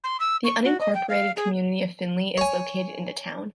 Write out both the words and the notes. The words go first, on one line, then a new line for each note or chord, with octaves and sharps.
The unincorporated community of Finley is located in the town.
C6
E6
C#6
F#4
D#5
G5
F5
G#4
C#5 G#5